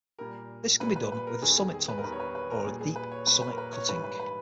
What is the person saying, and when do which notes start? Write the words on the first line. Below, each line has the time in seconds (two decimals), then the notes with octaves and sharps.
This can be done with a summit tunnel or a deep summit cutting.
0.19 A#2 G3 A#4
0.80 A#2 G3 B4
0.96 B4
1.12 B4
1.27 A#4
1.42 E2 D#3 G3 G#4
1.57 G#4
1.73 G#4
1.88 B4
1.98 A#4
2.04 E2 D#3 G3 B4
2.12 C#5
2.20 B4
2.35 B4
2.50 A#4
2.65 A#2 G3 G#4
2.81 G#4
2.96 B4
3.12 C#5
3.27 A#2 G3 B4
3.42 B4
3.52 A#4
3.58 B4
3.73 C#5
3.88 G#2 E3 G3 B4
4.04 B4
4.19 B4